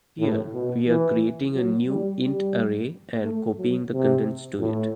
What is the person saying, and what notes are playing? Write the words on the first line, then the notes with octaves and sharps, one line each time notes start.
Here, we are creating a new int array and copying the contents to it.
A2
B2
E3
F#3
G3
G3
A3
F#3
C3
A2